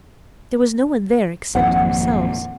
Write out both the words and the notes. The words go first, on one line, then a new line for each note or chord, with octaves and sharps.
There was no one there except themselves.
G#1 F2 A#2 F#5